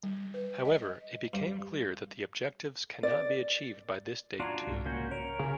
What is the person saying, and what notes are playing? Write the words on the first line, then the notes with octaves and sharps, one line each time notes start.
However, it became clear that the objectives cannot be achieved by this date too.
G3
B4
D#5
G2
D5
D4 F4 F#4 D5 A#5 G#6
C2 G#2
C2 C#3 A#3 C#4 F#4 G6
A#4 C#5
C#3